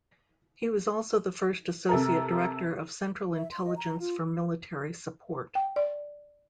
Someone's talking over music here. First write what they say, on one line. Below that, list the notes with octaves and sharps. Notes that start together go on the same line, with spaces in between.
He was also the first Associate Director of Central Intelligence for Military Support.
C3 A4 A#4
E5
C6
D#5
A#5
F4
G5
D5